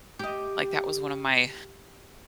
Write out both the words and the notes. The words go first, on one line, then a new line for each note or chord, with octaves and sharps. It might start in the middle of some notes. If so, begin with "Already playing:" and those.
like, that was one of my
G4 D#5